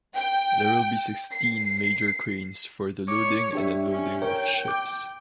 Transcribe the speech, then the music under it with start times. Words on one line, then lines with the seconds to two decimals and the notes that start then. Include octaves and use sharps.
There will be sixteen major cranes for the loading and unloading of ships.
0.15 G5
1.31 C7
3.08 C#5 D6
3.53 D4 G4 E5
3.91 C#4
4.22 A#4 C#5 G5
4.68 D6